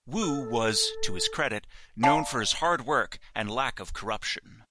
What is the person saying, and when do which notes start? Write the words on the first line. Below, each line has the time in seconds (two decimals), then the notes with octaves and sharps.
Wu was, to his credit, known for his hard work and lack of corruption.
0.22 A4
2.03 D5 F5 A5 A#5